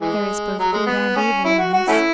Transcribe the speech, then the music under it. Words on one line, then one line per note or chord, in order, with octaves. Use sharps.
There is both good and evil in this.
E3 G#3
F#3
G#3
B3
C#4
E4
F#4
F#4
A3 C#4 E4